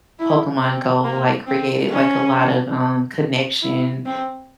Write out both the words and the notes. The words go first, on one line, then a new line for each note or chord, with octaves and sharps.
Pokémon GO, like, created, like, a lot of, um, connection
E4
C4
A#3
C4
C#4
E4
C4